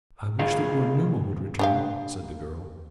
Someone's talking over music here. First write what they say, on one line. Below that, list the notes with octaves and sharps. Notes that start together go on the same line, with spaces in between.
"I wish that your Numa would return," said the girl.
D2 G3 F4 G#4 F5
D4 G4 F5